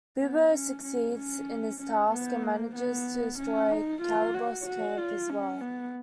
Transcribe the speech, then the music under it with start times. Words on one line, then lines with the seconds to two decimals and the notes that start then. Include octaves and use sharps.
Bubo succeeds in his task and manages to destroy Calibos' camp as well.
0.21 B3
0.53 C#4
0.84 C#4
1.16 C#4
1.80 C#4
2.11 B3
2.43 A#3
2.76 B3
3.39 C#4
3.71 D#4
4.02 F4
4.34 F#4
4.66 F#4
4.97 F4
5.29 C#4
5.61 B3